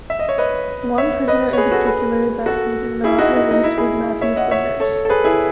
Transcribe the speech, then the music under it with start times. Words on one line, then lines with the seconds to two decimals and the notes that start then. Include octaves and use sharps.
One prisoner in particular that he did not release was Matthew Flinders.
0.10 E5
0.19 D#5
0.29 C#5
0.38 B4 D#5
0.98 C#5 E5
1.28 B4 D#5
1.53 C#5
1.57 G#4 B4
1.71 F#4 A4
1.87 G#4 B4
2.46 F#4 A4
3.04 E4 G#4
3.19 D#4 F#4
3.34 D#4
3.51 D#4
3.63 E4
3.78 E4 G#4
4.21 C#5 E5
4.36 D#5 F#5
4.51 C#5 E5
4.80 A4 C#5
5.05 A4
5.09 G#4 B4
5.24 E4 G#4